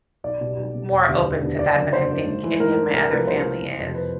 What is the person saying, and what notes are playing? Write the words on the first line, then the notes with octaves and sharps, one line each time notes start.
m m more open to that than I think any of my other family is.
B1 D5
B2 G3
B1
B2 G3
E1
D2 D3 G3 B3
E1
D2 D3 G3 B3
F#1 D5
F#2 D3
F#1 C5
F#2 D3
G#2
E3 A3
G#2 A#4
E3 A3
C2 A#4
C3 F3 A3 B4
C2 C5
C3 F3 A3
F#1
F2 C3
B4